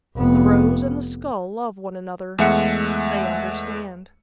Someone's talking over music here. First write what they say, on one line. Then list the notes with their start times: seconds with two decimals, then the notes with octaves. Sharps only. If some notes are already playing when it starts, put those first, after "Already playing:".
The rose and the skull love one another. They understand.
0.16 F1 B3
2.38 E2 G#3 A3 E5 F#5 C#7